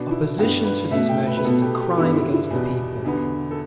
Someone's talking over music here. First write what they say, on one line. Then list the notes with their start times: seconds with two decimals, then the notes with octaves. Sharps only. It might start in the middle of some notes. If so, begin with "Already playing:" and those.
Opposition to these measures is a crime against the People.
Already playing: B2 B3 D4
0.11 E4
0.38 G2 G3 B3 G4
0.65 B4
0.91 B2 A3 E5
1.09 G5
1.27 B4
1.37 B4
1.45 B2 B3 A4
1.62 G4
1.80 G4
1.97 G2 G3 B3 E4
2.16 E4
2.33 E4
2.50 E2 B2 G3 B3
3.04 E2 D3 B3
3.51 A4